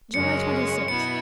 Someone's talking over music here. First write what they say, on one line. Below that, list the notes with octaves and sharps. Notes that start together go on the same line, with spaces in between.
July Twenty-sixth.
F#2 C#3 G#3 C#4 C#7
B2 B3 E4 C#7